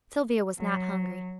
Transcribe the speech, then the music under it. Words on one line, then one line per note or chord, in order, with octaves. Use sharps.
Sylvia was not hungry.
F#3